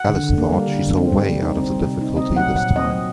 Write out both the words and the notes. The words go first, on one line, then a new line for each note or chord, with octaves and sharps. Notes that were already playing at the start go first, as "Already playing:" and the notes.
Alice thought she saw a way out of the difficulty this time.
Already playing: F#5
D3
D3
A#3
G3
D3
D3
C4
G3
C3
D#4
C4
G3
C3
D#4
C4 D#5
F#3 F#5
A#2
A#2 F#5
C4 D#5
F#3